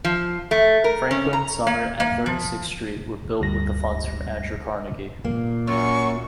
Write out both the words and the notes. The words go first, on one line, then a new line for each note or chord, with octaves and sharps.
Franklin, Sumner, and Thirty-Sixth Street were built with funds from Andrew Carnegie.
F3
A3
A#4
C#4
A#5
A#3
A#3
F3
D2 G2 G3 A#6
A#2 A#3
F#2 C#6